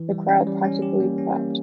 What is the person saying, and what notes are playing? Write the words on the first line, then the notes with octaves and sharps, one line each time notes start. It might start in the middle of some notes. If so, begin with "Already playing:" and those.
The crowd practically clapped!
Already playing: E3
G3
C#4
G3
C#4
G4
A#3
C#4
A#3